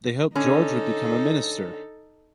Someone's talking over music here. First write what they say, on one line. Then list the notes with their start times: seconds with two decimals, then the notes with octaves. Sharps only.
They hoped George would become a minister.
0.35 D3 C#4 D#4 A4